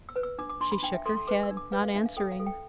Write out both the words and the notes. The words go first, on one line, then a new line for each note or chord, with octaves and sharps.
She shook her head, not answering.
E6
B4
E6
D4 D6
D6
D4 C6
B5
D4 G5
E5
A4 C6
C6
B4 D6
E6
D4
D6
B4 F5
F5
D4 E5
F5
A4 G5
F5
A4
G5